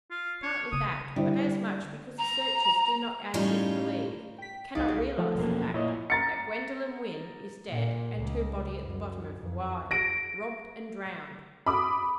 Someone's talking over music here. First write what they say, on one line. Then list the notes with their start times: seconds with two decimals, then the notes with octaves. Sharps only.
Partly that, but as much because the searchers do not as yet believe--cannot realise the fact-- that Gwendoline Wynn is dead, and her body at the bottom of the Wye! Robbed and drowned!
0.11 F4
0.43 C#5
0.72 C#3 A#3 D#6
1.16 D3 G3 E4 C5
2.18 A#5
3.34 A2 G3 C#4 D#4 F4
4.38 G5 B6
4.75 C2 D#4 F#4 G#4 D5 F5
4.88 C#3
5.18 F3 A3 A4
5.36 E1 F#2 A#3
5.74 A#2 E4 C#5 D#5
6.10 A#5 A6 C#7
7.68 A#2
8.19 C#2
8.79 F#2
9.40 F2
9.91 A#6 D7
11.66 B5 D6 D#6